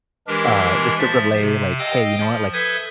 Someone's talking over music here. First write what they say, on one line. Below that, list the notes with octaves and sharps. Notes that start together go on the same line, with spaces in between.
uh, just to relay, like, "Hey, you know what, like,
E3 G#3 D4 G4 A#4
F3 E5 A6
C3
D#5 F5 G5 D#6 E6
F3
A4 B4 E5 D#6 G6 G#6